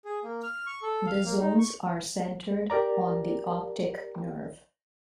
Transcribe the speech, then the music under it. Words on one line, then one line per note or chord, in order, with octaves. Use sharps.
The zones are centered on the optic nerve.
G#4
A#3
F6
C#6
A4
F5
A#3
D#4
C#6
G4 A#4 D5 A#5